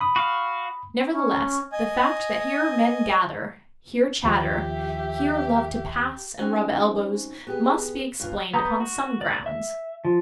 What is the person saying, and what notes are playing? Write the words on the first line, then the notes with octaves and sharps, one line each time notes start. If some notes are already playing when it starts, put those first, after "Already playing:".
Nevertheless, the fact that here men gather, here chatter, here love to pass and rub elbows, must be explained upon some grounds.
B5 D#6
F#4 F5
C#4
D#5 G#5
D#2 F3 G4 E5
C4 C#4 D#4 F#4 C5 G#5
B3 G4 G#4
G2 B2 F4
B3 A#5 D#6 G6
F#4
D5
E5
F3